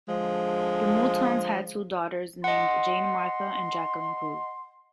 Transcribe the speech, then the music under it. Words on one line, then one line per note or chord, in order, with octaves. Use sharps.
The Moutons had two daughters named Jane Martha and Jacquelyn Cruse.
D3 F3 G#3
D#5 F#5 C6